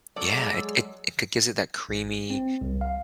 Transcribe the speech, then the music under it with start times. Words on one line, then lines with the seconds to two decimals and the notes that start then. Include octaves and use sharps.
Yeah, it it it it gives it that creamy,
0.16 F#3 G#3 A4 C#5 D5 E6
1.89 G#1
2.30 C4
2.61 C2
2.81 F5